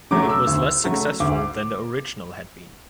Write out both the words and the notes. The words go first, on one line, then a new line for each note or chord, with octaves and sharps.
It was less successful than the original had been.
C#3 F#3 A3 D6
E6
D2
C#3 F#3 A3
D2 D6